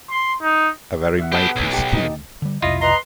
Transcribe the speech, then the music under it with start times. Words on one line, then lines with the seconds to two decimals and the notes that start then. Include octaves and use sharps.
A very matey scheme.
0.10 C6
0.42 D#4
1.18 E5 F#5
1.32 B3 G4 A4 F#5 B5
1.56 B1
1.72 G4 A5 A#5
1.93 D#4 A5
2.42 D3 G3
2.62 B1 F2 C3 E4 F4 D#5
2.81 B4 D#5 A#5 C6